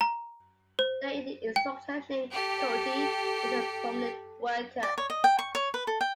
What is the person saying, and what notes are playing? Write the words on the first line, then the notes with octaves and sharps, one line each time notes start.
There an instructor named Kote was a prominent worker.
A#5
C5
G5
G4 A4
D5
C#5
D#5
G5
C#6
C#5
B4
A4
G5